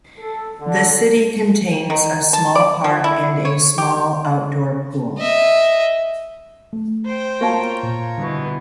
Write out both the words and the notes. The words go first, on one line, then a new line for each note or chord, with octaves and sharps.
The city contains a small park and a small outdoor pool.
A4
D3
D#3
A5
D5
F3
E4
C#5
G4
D#5 E5
A3
C5 G5
A#3 F4 C#5 F5 A5 A#5
A#2
B2 D3 E3 G3 B3